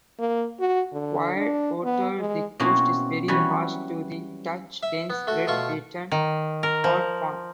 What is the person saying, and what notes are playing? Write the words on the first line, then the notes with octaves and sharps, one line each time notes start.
Wire-coated, the coat is very harsh to the touch, dense, red-wheaten or fawn.
A#3
F#4
D3
D4
B3
G#3
B2 A#3 C4 C#4 E4 F#4
E3 F#3 G3 C#4 F#4 B4
E5
B3
A3 F#4
B2 A3 F4 C#6
D#3
A#4
F3